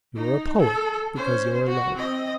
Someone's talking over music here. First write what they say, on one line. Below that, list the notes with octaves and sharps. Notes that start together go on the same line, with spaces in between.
You are a poet because you are low.
D#4
A4
C#4 C5
F#4
C4 D#5